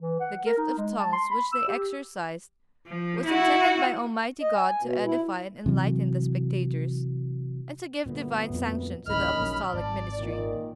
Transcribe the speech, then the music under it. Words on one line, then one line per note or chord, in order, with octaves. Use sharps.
The gift of tongues which they exercised was intended by Almighty God to edify and enlighten the spectators, and to give Divine sanction to the Apostolic ministry.
E3
F#5
A#4
D#4
G#3
A5
C6
B5
E6
G4
F3
E4 F#4
D#5
G#5
B2
E4
C3 E3 F#3
G1 D2 A#2 D3 B3
F2 A#2
D1 A1 D#2 C#4 D#5 B5 F6
A#1 F#3
G#1 D5 A5
A#2 D#3